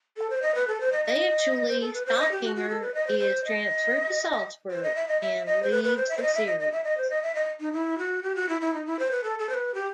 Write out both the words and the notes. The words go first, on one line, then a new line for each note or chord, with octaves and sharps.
Eventually, Stockinger is transferred to Salzburg and leaves the series.
A4
C5
D#5
B4
A4
C5
D#5
D#5
C5
A4
B4
C5
D#5
G4
F#4
F#4
A4
B4
D#5
C5
C5
D#5
C5
D#5
E5
D#5
E5
D#5
C5
B4
B4
C5
E5
C5
D#5
E5
D#5
D#5
E5
D#5
C5
D#5
E5
D#5
D#4
E4
F#4
G4
F#4
E4
E4
D#4
E4
C5
B4
A4
A4
C5
B4
G4